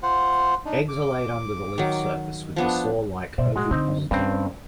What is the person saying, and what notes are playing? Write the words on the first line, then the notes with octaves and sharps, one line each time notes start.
Eggs are laid under the leaf surface with the saw-like ovipositor.
F4 C5 F#5
D4 D#4
D6
D#3 F#3
F3 B3 D4
B2 D3 C5 D5 E5
A2 G#3 F#4
D3 C4 D#4
G2 C4 C#4